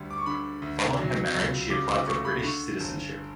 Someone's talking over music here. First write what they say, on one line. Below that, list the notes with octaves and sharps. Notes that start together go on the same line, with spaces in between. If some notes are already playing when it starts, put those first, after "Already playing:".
Following her marriage she applied for British citizenship.
Already playing: D2 G3
D6
C#6
D3 B5
D2
F#3
C#2
C#3 D6
D6
A3 C#6
B5
B5
D3 C#6
G1